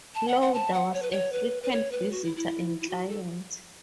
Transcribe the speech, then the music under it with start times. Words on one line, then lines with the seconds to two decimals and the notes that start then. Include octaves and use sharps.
Lauder was a frequent visitor and client.
0.15 A5
0.28 F#5
0.42 F#5
0.54 A5
0.73 F#5
0.94 C#5
1.02 B4
1.12 C#5
1.33 B4
1.63 B4
1.72 C#5
1.92 B4
2.11 F#4
2.24 E4
2.37 E4
2.81 E4
2.89 F#4
3.09 A4